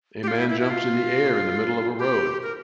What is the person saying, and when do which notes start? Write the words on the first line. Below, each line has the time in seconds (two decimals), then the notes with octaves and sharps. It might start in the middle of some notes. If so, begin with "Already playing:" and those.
A man jumps in the air in the middle of a road.
0.23 G4
0.28 F4
0.38 E4
0.49 E4
0.60 E4
0.70 F4
1.99 G4
2.42 A#4